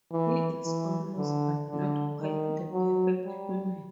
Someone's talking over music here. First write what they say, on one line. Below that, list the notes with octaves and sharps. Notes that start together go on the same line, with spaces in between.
He is almost but not quite the perfect human.
E3
E3
D3
D3
D#3
F#3
G3